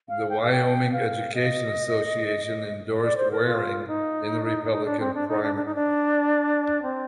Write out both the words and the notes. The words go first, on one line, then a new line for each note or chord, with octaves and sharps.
The Wyoming Education Association endorsed Waring in the Republican primary.
F5
G5
F5
G5
F5
D#5
D5
C5
A#4
F4
D#4
D#4
D4
C4
D4
D#4
D4
D4
D#4
D4
C4